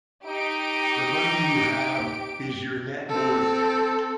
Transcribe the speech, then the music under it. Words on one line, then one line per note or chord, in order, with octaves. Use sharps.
The money you have is your net worth.
D#4 G4 D7
C4 A4